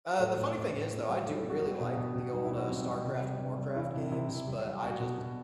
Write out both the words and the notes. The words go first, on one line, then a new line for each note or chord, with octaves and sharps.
Uh, the funny thing is though, I do really like the old, uh, StarCraft and Warcraft games, but I just
A2 A4
A2
A2
A2
A2
G3
G3 A4
A4
G3
F#4
G3
B2
B2
B2
G3 D#4
E4
B2
F#4
G3 C4
G3
C3
G3
C3
G3
E3 E4
C3
C3 E4
C3
G3
G3
G3 F#4
B2
B2